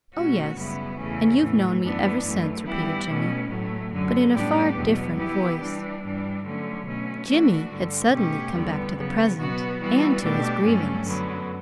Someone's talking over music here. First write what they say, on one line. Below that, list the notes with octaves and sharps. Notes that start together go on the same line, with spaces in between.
"Oh, yes--and you've known me ever since," repeated Jimmy--but in a far different voice: Jimmy had suddenly come back to the present, and to his grievance.
B2 A3 C#4 F#4
F#2 C#3 G3 B3 E4
E2 C#3 E3 A3 C#4
A2 E3 A3
F#2 E3 B3 D4
F#2 E3 A3
E3 G3 B3 E4 G4
B2 A3 C#4
A2 F#3 A3
F#2 D3 F#3
A2 G3 B3 D4 G4
E2 B2 F#3 B3
E3 B3 E4 G4
E3 G3 D4
G2 E3 G3 D4
D3 F#3 A3 C#4
B2 A3 C#4
E3 A3 D4 F#4
G2 D3 G3
B2 A3 C#4 G4
E2 D3 G3 B3
C#3 F#3 B3
B2 F#3 B3 F#4
E3 G3 B3 F#4
B2 A3 D4 G4
G2 F#3 A3 C#4
F#2 D3 F#3 B3